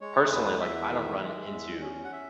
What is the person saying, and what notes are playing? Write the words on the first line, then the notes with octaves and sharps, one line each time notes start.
personally, like, I don't run into,
G#3 C#5
E2 B4
E2 E5
D#3
G#3
E2
C#4
F#5
E5